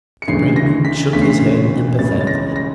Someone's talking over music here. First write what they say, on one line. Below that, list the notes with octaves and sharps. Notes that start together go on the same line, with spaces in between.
The Brakeman shook his head emphatically.
C#7
D2 C#3 E3 A3 C7
A#6
B6
D2 C#3 E3 A3 B6
C7
B6
C#2 C#3 E3 G#3 C#4 A6
A6
A#6
A#6